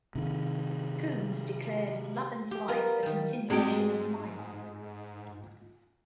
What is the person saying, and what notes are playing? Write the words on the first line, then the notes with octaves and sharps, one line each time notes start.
Combs declared "Love and Life" a continuation of "My Life".
C3 D#3
G4
B3 F4 A#4
D#3 G3
G#2 G#3 A3 C4 F#4 G4